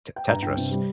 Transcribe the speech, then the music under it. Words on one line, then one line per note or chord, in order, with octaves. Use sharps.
T Tetris,
G5
G2 A#5
G2 G5
C3
G3